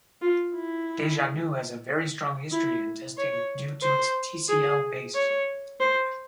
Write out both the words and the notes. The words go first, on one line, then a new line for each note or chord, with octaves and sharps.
DejaGnu has a very strong history in testing due to its Tcl base.
F4
E4
E4
C#5
C5
G#4
C#5
C5